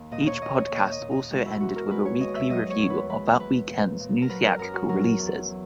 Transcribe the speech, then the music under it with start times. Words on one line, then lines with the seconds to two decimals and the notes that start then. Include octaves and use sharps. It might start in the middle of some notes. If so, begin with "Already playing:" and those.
Each podcast also ended with a weekly review of that weekend's new theatrical releases.
Already playing: D#2
0.11 A#2 D#5
0.27 C#5
0.41 A#2 D#5
0.57 C#5
0.71 A#2 D#5
0.91 D#5
1.01 A#2
1.11 D#5
1.31 G#3 F#4
1.46 E4
1.60 E2 F#4
1.76 A#4
1.90 G#3 B4
2.05 C#5
2.20 D#2 D#5
2.35 E5
2.50 F#3 D#5
2.70 C#5
2.80 E2
2.90 B4
3.10 G#3 B4
3.40 E2 B4
3.70 A#2
4.00 A#2
4.22 A#4
4.29 F#3 B4
4.44 A#4
4.59 F#2 A#4
4.74 F#4
4.89 F#3 A#4
5.18 E2
5.49 F#3